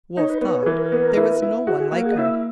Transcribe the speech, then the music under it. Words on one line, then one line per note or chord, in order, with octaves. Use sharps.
Wolfe thought there was no one like her.
D#4 C#5
B4
B3 C#5
C#5
G#4
E3 A#4
B3
E4
E4
F#4 G#4
G#4
A#3 A#4
G#4
D#5
E4 E5